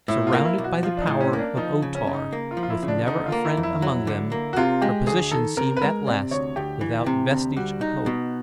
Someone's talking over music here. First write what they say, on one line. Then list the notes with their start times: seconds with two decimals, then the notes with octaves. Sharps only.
Surrounded by the power of O-Tar with never a friend among them, her position seemed at last without vestige of hope.
0.08 A2 E4
0.27 F4
0.33 A#3
0.45 E4
0.58 B1
0.64 F#4
0.83 F3 F4
0.97 D4
1.02 D#4
1.07 A2
1.21 C#4
1.33 A#3 C#4
1.39 D4
1.57 F3 D#4
1.82 C#3
1.95 C#4
2.07 C#3
2.13 D#4
2.33 A#3
2.51 F4
2.57 F3
2.63 F4
2.70 E4
2.83 C#3
2.88 D4
3.07 D3 D#4
3.26 F4
3.32 A#3
3.45 E4
3.57 F2
3.63 E4
3.82 F#3
4.07 D3
4.32 A#3
4.53 F#4
4.56 C3 F4
4.82 G#3 G4
5.07 D2 G#4
5.31 D#3 A4
5.57 C3 A#4
5.77 B4
5.82 G#3 A#4
6.07 C3 D5
6.31 D2 C#5
6.56 D2 G4
6.81 E3
7.06 C3
7.31 D2
7.57 G3 F#4
7.81 D#4
8.06 B2